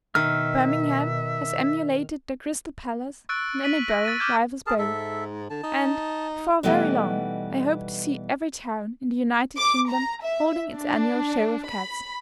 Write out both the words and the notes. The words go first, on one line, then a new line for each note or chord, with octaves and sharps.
Birmingham has emulated the Crystal Palace, and Edinburgh rivals both; and, before very long, I hope to see every town, in the United Kingdom holding its annual show of cats.
B2 D#3 E5 F6
C#6 E6 F#6 A6 D7
B6 D#7 F#7
A#6
E6 A6 B6 D#7
D6 F6 G6 G#6
G#4 A#4 A5
G#2 A4 E5
D3 A5
D#4
B2 E3 G3 A3 B3 D#4
D6
A#5
E5
D4
B5